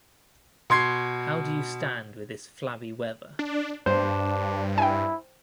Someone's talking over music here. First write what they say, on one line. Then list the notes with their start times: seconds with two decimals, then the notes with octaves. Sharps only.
How do you stand this flabby weather?
0.70 B2 C6 G#6 C7
3.39 D4
3.86 G2 D4 C5
4.78 E4 G5 G#5